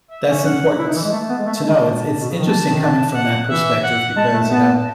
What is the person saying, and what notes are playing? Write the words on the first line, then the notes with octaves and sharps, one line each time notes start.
that's important to know. It's it's interesting coming from that perspective because, you know,
E5
C#4
F#5
E4
D#4
E3
G#3
A3 A5
B3
G#3
A3
A3
G#3
A5
B2
C#3
D#3
E3 A5
D#3
A5
F#5
E3 E5
F#5
G#3 A5
A3
B3 A5